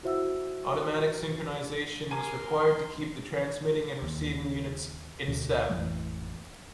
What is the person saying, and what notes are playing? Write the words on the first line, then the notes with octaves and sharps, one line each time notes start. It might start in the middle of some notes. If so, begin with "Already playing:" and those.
Automatic synchronization was required to keep the transmitting and receiving units "in step".
E4 F#4 C5 E5 F#5 E6
A#4 G#5 A#5 C6 D6
D#2
D2 B2 D3
A1 F2 E3 A3